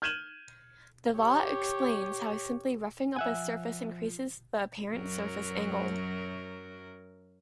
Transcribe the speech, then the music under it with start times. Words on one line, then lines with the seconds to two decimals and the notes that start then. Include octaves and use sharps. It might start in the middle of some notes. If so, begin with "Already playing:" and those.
The law explains how simply roughing up a surface increases the apparent surface angle.
0.02 F6 G6 G#6 D#7 E7 F#7
1.18 G4 C#5
3.16 F3 E5 F#5 G#5
4.92 F#2 F#3 A#4